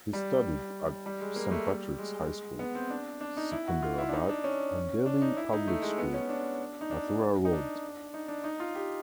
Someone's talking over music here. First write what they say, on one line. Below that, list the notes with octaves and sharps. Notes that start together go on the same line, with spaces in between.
He studied at Saint Patrick's High School, Secunderabad and Delhi Public School, Mathura Road.
G3
G3
G#3
A#3
A3
G3
G#3
B3
C4
D4
D4
D#4
E4
F#4
F4
E4
D4
D#4
D4
C#4
D4
D#4
E4
D#4
A3
G#3
B3
C#4
D4
D#4
D4
D#4
D4
D#4
D4
D#4
F4
G4